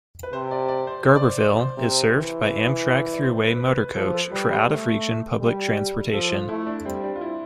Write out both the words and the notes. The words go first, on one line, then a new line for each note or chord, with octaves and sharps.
Garberville is served by Amtrak Thruway Motorcoach for out of region public transportation.
B4
C3 C5
D5
D5
C5
C5
D5
C5
C5
D5
C5
C3
E3
D5
C5
B4
B4
F3 A4
A4
G3 B4
C5
A3
G3
F3 A4
F4
A3 E4
D4
G3 C4
D4
F4
E4